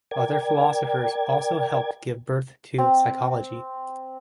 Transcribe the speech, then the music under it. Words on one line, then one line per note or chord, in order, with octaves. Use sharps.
Other philosophers also helped give birth to psychology.
A#4 D5 G5 G#6
C4